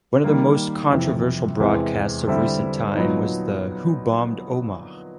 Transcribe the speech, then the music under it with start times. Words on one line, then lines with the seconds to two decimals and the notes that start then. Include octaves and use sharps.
One of the most controversial broadcasts of recent time was the Who bombed Omagh?
0.24 D#3 G3 A#3
0.92 F2 C3 E3
1.60 E2 C3 E3 G#3
2.27 D3 G3 C4 E4
2.95 A#2 F#3 B3 D#4